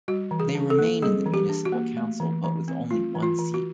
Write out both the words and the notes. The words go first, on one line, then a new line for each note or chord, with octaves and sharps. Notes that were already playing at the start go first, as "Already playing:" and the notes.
They remain in the municipal council but with only one seat.
G3 F#4
E3
G#4
D4
A4
A#3
G3 G#4
E3
G4
D4
F#4
A#3
A3
E3
E3
C4
A3 F4
E3
F4
E3
F#4